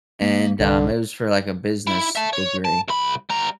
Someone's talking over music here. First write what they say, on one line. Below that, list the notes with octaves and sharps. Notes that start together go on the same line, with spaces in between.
and, um, it was for like a business degree,
A#3
C2 D3
E4
E5 A5
C#5
A5
C2 B5
G3 A#5